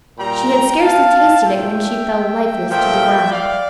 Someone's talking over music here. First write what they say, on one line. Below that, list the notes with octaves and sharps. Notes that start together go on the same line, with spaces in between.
She had scarcely tasted it, when she fell lifeless to the ground.
A#2 G3 G5 A#5
F5 A5
A#2 F3 A3 E5 G5
A#2 F3 A3 E5 G5
D5 F5